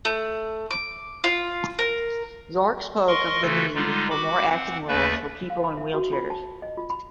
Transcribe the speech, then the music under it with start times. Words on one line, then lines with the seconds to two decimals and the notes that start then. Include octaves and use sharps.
York spoke of the need for more acting roles for people in wheelchairs.
0.05 A3
0.71 D6
1.24 F4
1.79 A#4
3.08 A#4 D#5 C6 C#6
3.42 C#3 E3 A3 F4 F#4 A4
3.75 D3 G3 G#3 D#4 F4
4.10 F#4 B5 D6
4.49 C4 F#5
4.88 D#2 A3 B4 D5 E5
5.50 F5
5.64 B5
5.77 E5
5.94 F#4
6.13 F4
6.30 A5
6.62 D#5
6.77 F4
6.90 B5